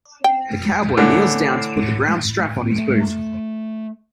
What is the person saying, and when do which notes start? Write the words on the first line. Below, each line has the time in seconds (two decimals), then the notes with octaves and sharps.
The cowboy kneels down to put the brown strap on his boot.
0.24 G5
0.97 A2 D3 E3
2.78 A3